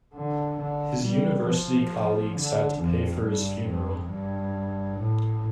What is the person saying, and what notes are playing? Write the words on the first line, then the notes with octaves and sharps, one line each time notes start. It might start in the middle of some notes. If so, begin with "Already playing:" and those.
His university colleagues had to pay for his funeral.
D3
D3
G3
F3
D3
F2
G2
F2
G2
A2